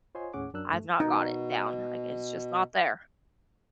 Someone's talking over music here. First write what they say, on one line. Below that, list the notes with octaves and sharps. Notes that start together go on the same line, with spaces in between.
I've not got it down, like, it's just not there.
F4 C5 C#5 D#5 G#5 C6
D#2 A2 C#4 G#4 F#5 D6
F#2 F#3 D4 A#4 E6 F#6
G2 A3
B2 D#4